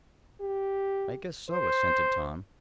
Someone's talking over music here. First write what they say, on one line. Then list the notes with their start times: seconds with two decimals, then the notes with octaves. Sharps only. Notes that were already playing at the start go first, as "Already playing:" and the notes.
"I guess so," assented Tom.
0.41 G4
1.50 C5